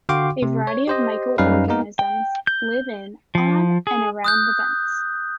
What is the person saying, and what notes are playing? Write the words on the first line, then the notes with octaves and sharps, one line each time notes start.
A variety of microorganisms live in, on, and around the vents.
D3 F#4 F5 G5 C6 D6
C3
C#5
G4 C5 D#5
F#2 G3 C#4 D#4 B4 F5
A#3 B3 D#4 A#4
G5
G6
F3
G#4
D#6 F#6 G6